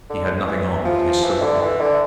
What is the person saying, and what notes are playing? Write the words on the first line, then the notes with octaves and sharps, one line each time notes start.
He had nothing on but his sarong.
D3
E3
F3
E3
D3
E3
D3